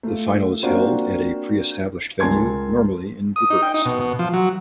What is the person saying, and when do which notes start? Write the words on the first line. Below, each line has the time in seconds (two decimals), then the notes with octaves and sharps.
The final is held at a pre-established venue, normally in Bucharest.
0.03 A3 F4
0.63 A#3 C4 D4 F4 F#4 C5
2.20 C#2 A#4 G#5 A5 C6 G#6
3.36 D#6
3.50 D#4
3.62 G5
3.74 D#4
3.86 B2
4.00 B2
4.19 F3
4.33 F#3